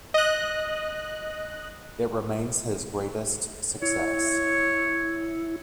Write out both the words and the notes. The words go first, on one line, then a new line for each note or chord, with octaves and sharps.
It remains his greatest success.
D#5 F#6
E4 C#5